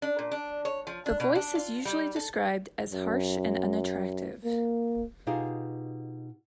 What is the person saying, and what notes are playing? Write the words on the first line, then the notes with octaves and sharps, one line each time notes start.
The voice is usually described as harsh and unattractive.
D4
A#2
D4
C#5
F3
D4
B2
D4
F4
G3
A4
F#2
A#3
B2 D#4 F4 G4 G#4